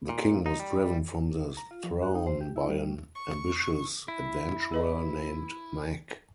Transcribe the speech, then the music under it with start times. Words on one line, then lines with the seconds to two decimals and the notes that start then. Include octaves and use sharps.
The king was driven from the throne by an ambitious adventurer named Mack.
0.09 A#2
0.46 D#4
0.60 G3
1.57 A#5
1.71 F4
1.84 F3
2.02 F#4
2.15 D#4
2.27 C5
2.41 G4
2.56 E4
2.69 G3
2.81 G3
3.15 C#6
4.08 E4
4.72 G#4 B4 D#5